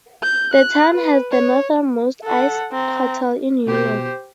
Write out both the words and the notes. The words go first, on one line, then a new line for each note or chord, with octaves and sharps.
The town has the northernmost ice hotel in Europe.
G6
F#6
B4
C#5
A4 F#5
C4 A#5
B2 G4 C5